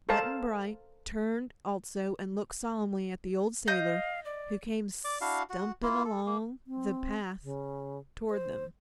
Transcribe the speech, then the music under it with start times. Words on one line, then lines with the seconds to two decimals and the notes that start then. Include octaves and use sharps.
Button-Bright turned also and looked solemnly at the old sailor who came stumping along the path toward them.
0.09 A4 A#4 C5 F5 A5
3.68 D#5 F5 G6
4.25 D5
5.05 D5 D6
5.21 D4 E4 F#4 F5
5.50 F#4
5.83 A#3 E4 F4
6.05 A4
6.26 A#3
6.67 C4
7.43 C#3
8.30 C5